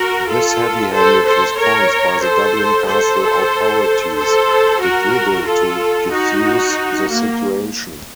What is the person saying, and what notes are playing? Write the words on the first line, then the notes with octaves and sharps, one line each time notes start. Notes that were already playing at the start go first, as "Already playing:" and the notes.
This heavy-handed response by the Dublin Castle authorities did little to defuse the situation.
Already playing: F#4 A#4
F4 A4
A4 C5
A4 C5
A#4 C#5
A4 C5
A4 C5
A4 C5
F#4 A#4
F4 A4
D#4 F#4
A#3